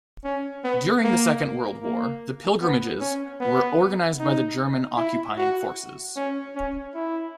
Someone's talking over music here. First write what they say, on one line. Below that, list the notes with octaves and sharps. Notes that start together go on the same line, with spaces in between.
During the Second World War the pilgrimages were organised by the German occupying forces.
C#4
B3
A#3
A#3
B3
C#4
B3
D#4
E4
F#4
C#4
C#4
E4